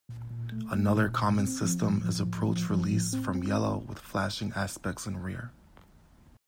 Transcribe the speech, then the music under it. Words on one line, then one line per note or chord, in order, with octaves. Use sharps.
Another common system is approach release from yellow with flashing aspects in rear.
A#2
A#2
A3
A3
A#2
A#2
C4
F3
A2
F3
A2
F3
F3
A2
C4
C4